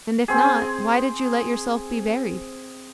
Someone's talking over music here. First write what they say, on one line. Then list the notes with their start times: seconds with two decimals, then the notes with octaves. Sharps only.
'And if not, why did you let yourself be buried?'
0.28 C4 G#4